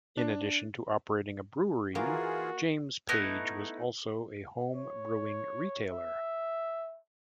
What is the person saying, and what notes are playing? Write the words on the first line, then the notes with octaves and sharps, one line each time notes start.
In addition to operating a brewery, James Page was also a home brewing retailer.
D4
E3 A#3 F4 F#4 G#4
A3 B3 D#4 E4
C#5
E5